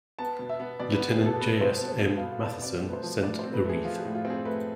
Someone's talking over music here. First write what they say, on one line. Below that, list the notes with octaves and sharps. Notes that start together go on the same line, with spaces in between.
Lieutenant J. S. M. Matheson sent a wreath.
B3 A5
B2
E5
B3
B2 D5
B4
B3
G#4
B2
A4
B3 B4
B2 C5
B3
B2
B3 F5
F5
B2
D5
C4 D5
A3
B4
C5
F3
A2 D5
C4 C5
B4
A3 G#4
F3 F4
G#4
A2
F4
C4
G#4
A3 B4